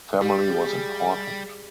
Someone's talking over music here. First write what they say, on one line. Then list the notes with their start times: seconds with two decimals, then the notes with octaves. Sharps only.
Family was important.
0.22 G3 G4
0.50 G#4